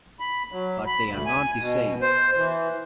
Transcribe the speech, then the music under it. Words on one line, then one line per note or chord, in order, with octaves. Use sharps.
But they are not the same.
B5
F#3
B5
D2
G#5
B2
C5
E3